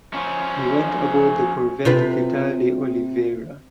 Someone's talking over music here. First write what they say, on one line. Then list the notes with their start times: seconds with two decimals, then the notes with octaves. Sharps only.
He went aboard the corvette "Vital de Oliveira".
0.14 F3 C#4
1.85 C3 F4 B4